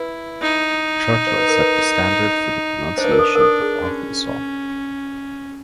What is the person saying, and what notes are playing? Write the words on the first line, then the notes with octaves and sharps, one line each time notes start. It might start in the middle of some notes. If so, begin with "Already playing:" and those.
Churchill set the standard for the pronunciation of Arkansas.
Already playing: E4 B4
D#4
C5
B4
A#4
B4
D4 C5
B4
A#4
A4
A#4
A4
G#4
C#4 F#4